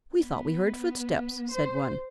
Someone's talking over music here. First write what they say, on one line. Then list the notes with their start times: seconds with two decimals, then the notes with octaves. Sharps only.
"We thought we heard footsteps," said one.
0.18 B3
1.51 C5